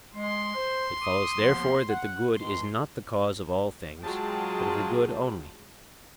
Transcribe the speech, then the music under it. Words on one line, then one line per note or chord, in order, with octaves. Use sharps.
It follows therefore that the good is not the cause of all things, but of the good only?
G#3 C6
C5
D6 D#6
D#2 F3 B3
F#5
C#2 C6
F#3 G#3 F4 G#4 G5 A5